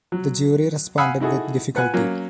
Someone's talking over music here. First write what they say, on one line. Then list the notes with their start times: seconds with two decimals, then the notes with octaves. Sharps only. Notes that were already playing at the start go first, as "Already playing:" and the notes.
The jury responded with difficulty.
0.12 F#3
0.98 F5 F#5 G#5 B5 D#6 E6
1.20 D#4 E4 F#4 G#4 A4
1.75 F4 B4 F#5 G#5 F#6
1.94 F#3 A#3 C#4